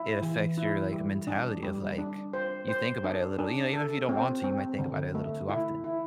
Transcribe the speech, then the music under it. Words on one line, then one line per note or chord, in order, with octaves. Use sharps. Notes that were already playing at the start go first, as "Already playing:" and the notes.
it affects your, like, mentality of, like you think about it a little, you know, even if you don't want to, you might think about it a little too often.
Already playing: E4
E3
E4
G3
D4
G3
D4
C5
C5
D4
D4
A4
C4
C4
D3
A3
E4
E4